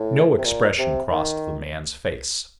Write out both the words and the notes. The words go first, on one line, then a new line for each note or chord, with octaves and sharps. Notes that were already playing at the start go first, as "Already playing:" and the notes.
No expression crossed the man's face.
Already playing: A2
C3
A#2
C3
D#3